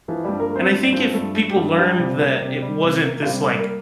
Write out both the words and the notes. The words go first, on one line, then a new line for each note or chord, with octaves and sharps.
and I think if people learned that it wasn't this, like,
E3 F3 E4
G2 G3 G4
A#3 A#4
A3
C4 C5
G2
D5
F3 C4 C5
G2 A3 A4
A3 A4
G4
G2 A3 A4
F4
F3 G3 G4
C3
A#3
C3
G3
C3
A#3
F4
C3 G3 G4
A3 A4
G3
A#3 A#4